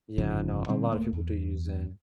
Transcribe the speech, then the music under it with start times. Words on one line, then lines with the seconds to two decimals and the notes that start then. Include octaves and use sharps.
Yeah. I know. A lotta people do use Zen.
0.18 G1 F2 C#3 F3
0.68 A#2 D3 G3 C4
0.92 D1 A3 A#3
1.13 E2